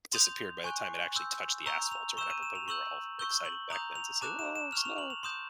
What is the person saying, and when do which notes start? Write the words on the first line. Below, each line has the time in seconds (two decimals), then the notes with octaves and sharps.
disappeared by the time it actually touched the asphalt or whatever, but we were all excited back then to say, "Whoa, snow!"
0.13 C6 D#6 G6 F7
0.64 G#5 C#6 F#6
1.15 C6 E6 G6
1.66 A#5 C#6 E6 G6 F7
1.91 F7
2.17 C#6 E6 G6 E7
2.30 D#7
2.43 E7
2.55 F7
2.68 C#6 E6 G6 F#7
3.19 C#6 E6 G6 G7
3.45 F#7
3.70 A#5 D#6 G6 F7
3.95 F7
4.21 A5 D6 F#6 E7
4.39 E7
4.55 E7
4.72 C#6 F6 F7
4.85 F7
4.98 F#7
5.10 F7
5.23 C6 D#6 G6 E7